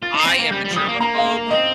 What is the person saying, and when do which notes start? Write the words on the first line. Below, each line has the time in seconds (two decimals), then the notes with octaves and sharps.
I am a germaphobe
0.02 F4 A6
0.15 D#4
0.20 C7
0.27 C4 A#6
0.39 A#3
0.51 G3 G6
0.64 G3
0.71 F3
0.76 G3 D#6
0.88 A#3
1.00 A#3 A#5
1.18 F5
1.51 C4 D#5